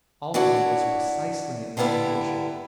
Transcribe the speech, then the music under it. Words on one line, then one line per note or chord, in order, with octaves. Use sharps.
Oliver was precisely in this condition.
D4 E4 F#4 C#5 D5 F#5
D3 G3 A#3 B3 E4 D5